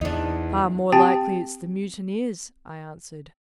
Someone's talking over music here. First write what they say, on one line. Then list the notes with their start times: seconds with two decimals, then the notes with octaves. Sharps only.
"Far more likely it's the mutineers," I answered.
0.01 E2 D4 D#4
0.92 C4 G4 G5 A5